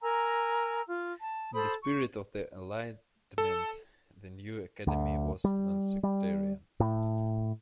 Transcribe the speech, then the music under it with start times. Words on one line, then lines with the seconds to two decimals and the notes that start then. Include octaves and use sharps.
In the spirit of the Enlightenment the new academy was nonsectarian.
0.01 A#4 G#5 A#5 E6
0.87 F4
1.21 A5
1.54 A4 C5 B5 D#6
1.80 C#6
3.38 A4
4.87 D2
5.44 G3
6.03 G3
6.80 A2